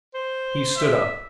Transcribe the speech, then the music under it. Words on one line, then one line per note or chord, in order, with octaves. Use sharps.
He stood up.
C5
E5